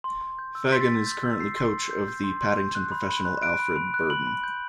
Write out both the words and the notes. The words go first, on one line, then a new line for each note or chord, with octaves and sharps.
Fagan is currently coach of the Paddington professional Alfred Burden.
C6
C6
G6
E6
C6 B6
A6
C6 B6
G6
E6
G6 C7
C6
C6
G6
G6
C6
C6
G6
F#6
B5
B5
F#6
F#6 D7
B5
B5
F#6
B5 F#7
B5
G6